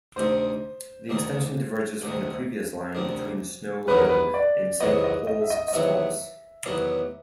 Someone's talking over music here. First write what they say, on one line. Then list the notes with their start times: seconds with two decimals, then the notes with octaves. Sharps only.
The extension diverges from the previous line between Snow Hill and Saint Paul's stops.
0.16 D2 C3 D#3 C5
1.09 D2 C3 D#3
2.02 D2 C3 D#3
2.95 D2 C3 D#3
3.87 E2 C3 D#3 F#3 B3 B4
3.98 A#4
4.09 B4
4.34 D5
4.80 E2 C3 D#3 F#3 B3 D#5
5.04 D#5
5.27 D#5
5.41 E5
5.50 D#5
5.68 D#5
5.73 E2 C3 D#3 F#3 B3 E5
6.66 E2 C3 D#3 F#3 B3